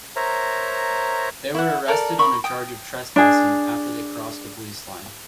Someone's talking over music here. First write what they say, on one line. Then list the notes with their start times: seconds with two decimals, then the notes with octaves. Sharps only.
They were arrested on a charge of trespassing after they crossed a police line.
0.16 A#4 C5 C#5 E5 A#5
1.55 E4 E5 F#5
1.88 A4 A#4 D5
2.19 A#4 B5 C#6
2.44 G5 D#6
3.16 D4 G#4